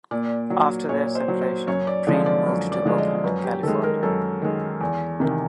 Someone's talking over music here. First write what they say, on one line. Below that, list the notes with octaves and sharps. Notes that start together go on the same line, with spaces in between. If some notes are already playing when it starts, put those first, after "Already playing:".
After their separation, Breen moved to Oakland, California.
A#2 D5
F#3
A#2 C#5
C5
F#3
C5
F#2 C#5
D5
D3 F3 G#3
D5
F#2
D5
D3 F3 G#3
D#5
F#2 B4
G4
D#3 G#3 A4
A#4
F#2 A4
D#3 G#3
E2
C3 D#3